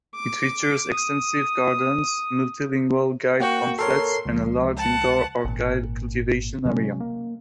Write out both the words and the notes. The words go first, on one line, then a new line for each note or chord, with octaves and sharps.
It features extensive gardens, multi-lingual guide pamphlets, and a large indoor orchid cultivation area.
D6
D#6
A#3 F#4 F#5 G5
A4 A#4 C#5 C6
C#2 F3
F#5 A5
G#1 A#2
C3 F#3 G#3 C#4
A#3